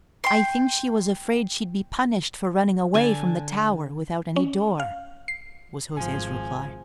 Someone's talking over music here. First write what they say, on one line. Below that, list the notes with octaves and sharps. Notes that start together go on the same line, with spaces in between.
"I think she was afraid she'd be punished for running away from the tower without any door," was Jose's reply.
G5 C6
D3 G#5 A5
C#4
F5
C7
G#1 F3 G#5